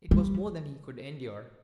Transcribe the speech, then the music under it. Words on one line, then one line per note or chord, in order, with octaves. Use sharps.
It was more than he could endure.
G3